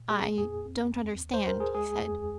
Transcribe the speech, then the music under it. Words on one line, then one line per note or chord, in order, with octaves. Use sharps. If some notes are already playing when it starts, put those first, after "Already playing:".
"I don't understand," he said.
Already playing: A#2
A#3 G#4
F2 G#4
C4
D#2
D#2
C5
D#2 A#4
G#4
G#3 G#4
F2